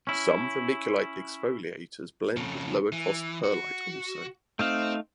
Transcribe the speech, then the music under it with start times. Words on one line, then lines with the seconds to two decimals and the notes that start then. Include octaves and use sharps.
Some vermiculite exfoliators blend with lower cost perlite also.
0.07 C#4 E4
2.36 F2 C#3
2.92 E3
3.44 F#4
4.59 A3 C4 D#4 F5